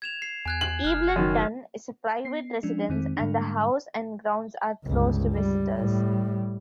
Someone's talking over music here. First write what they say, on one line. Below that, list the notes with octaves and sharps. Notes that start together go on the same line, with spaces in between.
Evelynton is a private residence and the house and grounds are closed to visitors.
G#6 E7 F7
C7
E2 G#5 F#6 G#6
F#7
F#1 F6 F#6
F#2 D#3
B3 C7
F3 G#3 C#4 D4
F2 D#3 G#3 C4
G#2 D3 G3 G#3 D4
G1 C#2
G3
A2 G3